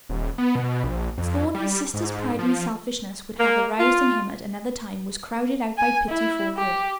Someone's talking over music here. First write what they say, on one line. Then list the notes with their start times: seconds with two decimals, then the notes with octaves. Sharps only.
The scorn his sister's pride and selfishness would have aroused in him at another time was crowded out by pity for her.
0.09 D#1
0.38 B3
0.55 B2
0.84 A#1
1.18 F2
1.55 G3
1.94 G#2
2.39 F3
3.40 A#3
3.79 F4
5.78 G#5
6.09 E4
6.57 G4